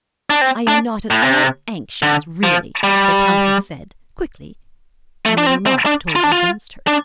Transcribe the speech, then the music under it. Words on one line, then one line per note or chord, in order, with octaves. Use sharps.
"I am not at all anxious, really," the Countess said, quickly, and the remark told against her.
D4
C4
D4
A2
C3
D3
F3
G3
A3
D4
C4
C4
D4
F4
D4
F4
D4